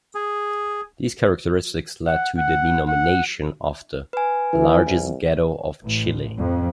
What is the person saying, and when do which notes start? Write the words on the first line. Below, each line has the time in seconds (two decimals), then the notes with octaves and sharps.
These characteristics led to the denomination of the "largest ghetto of Chile".
0.15 G#4
2.07 F#5
2.37 F#5
2.88 F#5
4.13 B4 G#5
4.53 E3
4.86 C2
5.85 A1
6.38 F2